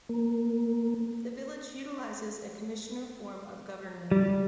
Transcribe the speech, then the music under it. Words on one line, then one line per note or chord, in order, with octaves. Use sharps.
The village utilizes a commissioner form of government.
A#3
G3